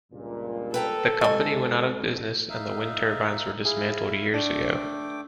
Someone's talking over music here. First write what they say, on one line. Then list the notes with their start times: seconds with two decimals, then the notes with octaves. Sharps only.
The company went out of business and the wind turbines were dismantled years ago.
0.12 C#2 G2 A#2
0.74 A4 B4 G5 A#5
1.21 C2 G#2 D#5 G#5 A5 C#6
2.49 D#4 E5 F5
3.65 E4 G#4 E5 F5
4.34 A3 D4 G5 D6